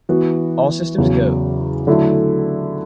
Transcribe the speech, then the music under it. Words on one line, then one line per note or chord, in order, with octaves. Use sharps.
All Systems Go!
E3 B3 F#4
E2 C#3 F#3
D3 F#3 A3 E4 A4